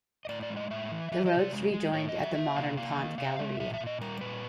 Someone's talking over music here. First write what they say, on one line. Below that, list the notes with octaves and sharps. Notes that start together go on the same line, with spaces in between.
The roads rejoined at the modern Ponte Galeria.
D#5
A2 D5
D5
G#3
D#5
A2 E5
E3
E3 E5
D#5
C3
D5
G#3
G#3
A2 C#5
D#5
F#3
E5
A#3 E5
C3 F5
A#3 F5
D#3
C3 F5
G#3 E5
A#2 E5
E5
A#2
D#5
G3 A#4
A#2 B4